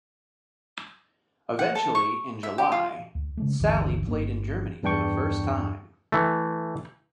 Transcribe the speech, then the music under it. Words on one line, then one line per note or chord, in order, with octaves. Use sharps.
Eventually, in July, Saille played in Germany for the first time.
F#5
A4
C#6
E5
G4
F4
D2
C#3 G#3 A3
G1 D2 D3 E3
G1 A#3 D4
E2 G2 D4 G5 C#6
E3 A3